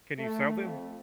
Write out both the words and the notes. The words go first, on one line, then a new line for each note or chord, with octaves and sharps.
Can you sell them?
A3
F2